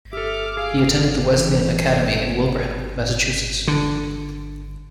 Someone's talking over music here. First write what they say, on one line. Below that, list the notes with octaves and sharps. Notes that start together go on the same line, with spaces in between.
He attended the Wesleyan Academy in Wilbraham, Massachusetts.
G4 A4 E5 D6 F6
G#4 F5
E3
D3